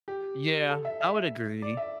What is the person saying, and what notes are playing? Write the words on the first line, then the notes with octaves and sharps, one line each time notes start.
Yeah, I would agree.
G4
A4
E5
E5
D5
E5